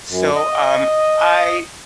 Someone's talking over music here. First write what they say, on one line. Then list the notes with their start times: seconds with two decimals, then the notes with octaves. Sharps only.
So, um, I
0.08 F#2
0.35 D#5